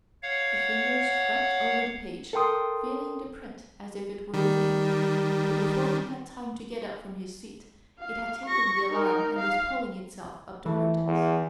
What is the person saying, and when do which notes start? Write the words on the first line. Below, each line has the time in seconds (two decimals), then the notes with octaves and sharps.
The fingers crept over the page, feeling the print as if it were reading; but before he had time to get up from his seat, it had taken the alarm and was pulling itself up the curtains.
0.23 C#5 F5 F#5
2.33 A4 A#4 G5 C6 D#6
4.34 D#3 G3
8.00 F5
8.46 C#6 A#6
8.90 D#4 A#4
9.39 F5
10.66 E3 A3
11.06 E2